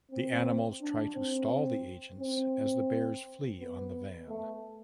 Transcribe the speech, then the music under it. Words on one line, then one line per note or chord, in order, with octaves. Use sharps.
The animals try to stall the agents as the Bears flee on the van.
C4
D4
C4
C4
B3
A3